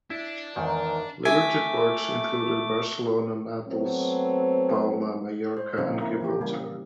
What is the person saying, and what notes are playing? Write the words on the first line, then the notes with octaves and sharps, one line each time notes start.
Liberty ports included Barcelona, Naples, Palma Majorca, and Gibraltar.
D4 E4
E2 G#2 D#3 A#4
A3 E5 G#5 D6
F#3 A3 B3 C4
G#3 C5
C#3 F3 C4 D#4 F4 C#5
A#3 E4 A#4
E3 A#3 G4
C#3 G3 A#3